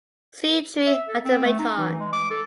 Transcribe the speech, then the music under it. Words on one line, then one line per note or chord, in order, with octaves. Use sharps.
See tree automaton.
E5
A4
C4
A3
D#4
E3
G#3
D6
A4